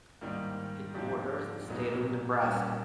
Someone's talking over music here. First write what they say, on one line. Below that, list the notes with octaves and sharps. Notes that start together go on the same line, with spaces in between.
It borders the state of Nebraska.
G#2 D#3 G3 A#3
G#2 F3 A#3 D4 G4
A#2 F#3 B3 D#4
A#2 G3 A#3 C#4